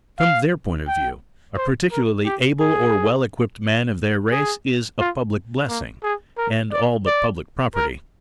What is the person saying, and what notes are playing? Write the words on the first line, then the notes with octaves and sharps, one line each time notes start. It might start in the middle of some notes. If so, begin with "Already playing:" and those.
From their point of view, a particularly able or well-equipped man of their race is a public blessing, and all but public property.
F5
G5
C5
A#4
G4
G#4
G#4
F4
A#3
G#4
A#4
D5
D5
A#4